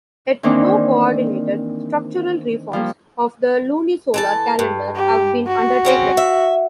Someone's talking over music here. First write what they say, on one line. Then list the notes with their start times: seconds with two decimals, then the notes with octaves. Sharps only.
Yet no coordinated structural reforms of the lunisolar calendar have been undertaken.
0.43 D#3 E3 A#3 C4 D4 D#4
2.73 F3 G3 A#3
4.14 E3 A4 A5
4.59 G2
4.96 G4
5.47 F#4
5.85 C#3 C4 C#4
6.17 E5